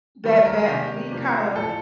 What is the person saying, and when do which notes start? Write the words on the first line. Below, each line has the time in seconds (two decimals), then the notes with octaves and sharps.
that that we kinda
0.24 D#3 G3 A#3
0.46 A#4
0.68 C3 D#3 A#3 D4 G4
1.11 C3 F3 A#3 D4
1.56 A2 F3 C4 A4